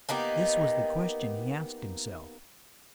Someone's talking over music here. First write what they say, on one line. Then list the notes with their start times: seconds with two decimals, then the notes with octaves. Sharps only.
This was the question he asked himself.
0.09 A#3 B3 D#4 G4